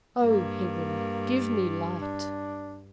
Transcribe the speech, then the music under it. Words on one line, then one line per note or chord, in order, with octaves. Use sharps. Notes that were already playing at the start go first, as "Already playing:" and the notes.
Oh, Heaven, give me light!
G2 A#3
D4